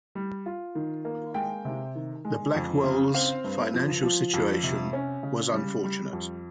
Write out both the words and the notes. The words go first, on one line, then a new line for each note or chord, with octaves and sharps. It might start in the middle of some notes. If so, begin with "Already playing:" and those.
The Blackwells' financial situation was unfortunate.
G3
F4
D#3
A#3
G#3 G5
C3
D#3
G#3
F2
C#3
C4 F5
G2
F3
F3
F2
C3
C#4
C#3
G3
G3
F2